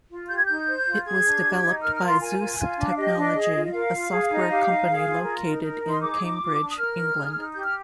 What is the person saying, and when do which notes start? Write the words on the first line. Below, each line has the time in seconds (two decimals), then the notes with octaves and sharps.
It was developed by Zeus Technology, a software company located in Cambridge, England.
0.10 F4
0.29 G4 G6
0.37 G#6
0.45 D#4 G6
0.67 C5
0.87 F4
1.05 G#4 G#6
1.25 D4
1.44 G4
1.63 D#4
1.82 A#4 F6
1.95 F6
2.01 F4
2.07 C6
2.20 A#4 G#5
2.39 F4
2.59 F4
2.77 D4
2.88 F5
2.97 G4 D#5
3.15 D4
3.34 G#4
3.54 F4
3.66 D#5
3.73 A#4 F5
3.92 F4
4.11 G#4
4.30 D#4
4.49 G4 F5
4.68 D#4
4.87 G#4
5.06 F4
5.25 A#4
5.45 D#4
5.64 A#4
5.83 D#4
5.90 C6
6.01 G#4 D6
6.21 D#4
6.40 F4
6.60 D4
6.70 D#6
6.78 A#4 F6
6.98 D#4
7.16 G#4
7.36 D#4
7.54 G4 G6
7.64 F6